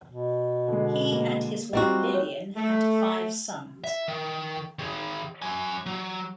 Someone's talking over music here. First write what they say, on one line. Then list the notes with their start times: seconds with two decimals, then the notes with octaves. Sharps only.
He and his wife Lillian had five sons.
0.08 B2
0.68 D3 G#3
1.12 A#3
1.73 G3 C4 F4 F#4 D#5 F#5 A#5
2.14 C#5
2.56 A3
3.84 E5
4.08 D#3
4.79 D#3 G#4
5.42 F#3 G#5
5.86 F#3